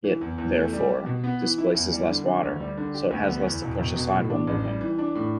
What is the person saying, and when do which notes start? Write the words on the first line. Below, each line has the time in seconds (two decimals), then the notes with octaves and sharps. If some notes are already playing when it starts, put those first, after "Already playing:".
It, therefore, displaces less water, so it has less to push aside while moving.
0.04 E3
0.21 E2
0.38 E2
0.56 A3
0.73 G3
0.89 G4
1.06 B2
1.24 B3
1.41 E3
1.58 E4
1.75 E2
1.92 G3
2.08 D3
2.26 D4
2.43 D2
2.60 G3
2.77 D3
2.94 G4
3.11 D2
3.27 B3
3.45 E2
3.62 E1
3.79 E1
3.96 B2
4.13 A2
4.30 D4
4.47 A1
4.64 G3
4.81 E3
4.99 D4
5.15 A2